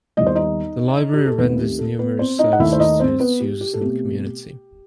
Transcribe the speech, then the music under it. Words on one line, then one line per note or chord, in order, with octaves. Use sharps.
The library renders numerous services to its users and community.
D#2 D#3 G3 B3 D#5
C5
D#4 D#5
G4
A4
D#2 D#3 A3 B3 C4 B4
G4
A4
B3 B4
C4 C5
D#4 D#5
F#5
D#2 D#3 A3 E4 E5
C5
D#4 D#5
C4 C5
B3 B4
G4
G4
A4
B2 A3 C4 G4